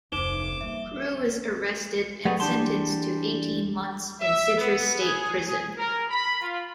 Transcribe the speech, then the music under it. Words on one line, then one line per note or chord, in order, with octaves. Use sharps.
Crewe is arrested and sentenced to eighteen months in Citrus State Prison.
F1 D2 D#4 C5 D6 E7 G7
G3 A#3 E5
F#3 G3 A3 B3 G#4
E3 G3 D4 G4 A5 C6
E5
B3
G#4
G#4
A#4
B5
F4